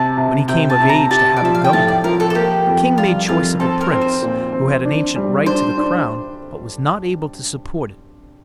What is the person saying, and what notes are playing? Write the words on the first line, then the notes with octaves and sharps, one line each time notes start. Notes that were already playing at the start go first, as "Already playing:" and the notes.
When he came of age to have a governor, the king made choice of a prince who had an ancient right to the crown, but was not able to support it.
Already playing: C3 A5
C3
C3 G5
A5
C3
A#5
G4 A5
D5
F3 E5
F5
G5
A2 A5
D5
F3 A#4
A4
A4
A#3 G4
F2
G3 F4
F2 F4
C4 A4
A#4
C4
C5
A#2
C4
D4
G3
D4 C5
D4